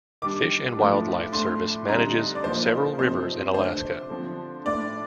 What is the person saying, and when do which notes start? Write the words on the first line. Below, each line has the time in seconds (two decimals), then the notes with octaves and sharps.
Fish and Wildlife Service manages several rivers in Alaska.
0.22 D#3 G3 D4 D6
0.77 A2 F3 A3 D4
1.32 A2 A3 D4 C6
1.88 D3 G3 C4 D#4 A#5
2.35 D5
2.44 A#2 F3 A#3 D#4 C5
2.99 C3 F3 C4 D#4 C5
3.54 D3 A3 D4 C5
4.10 D3 F3 C4
4.65 A2 A3 D4 D5